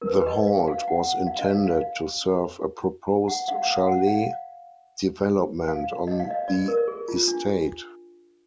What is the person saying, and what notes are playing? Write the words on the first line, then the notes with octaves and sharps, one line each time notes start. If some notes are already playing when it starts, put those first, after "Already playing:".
The halt was intended to serve a proposed chalet development on the estate.
A#4
B4
D#5
F5
F5
F#5
F5
D#5
F5
F5
F#5
F5
F#5
F5
F#5
F5
F5
D#5
F5
D#5
D5
A#4
G#4
F4
D4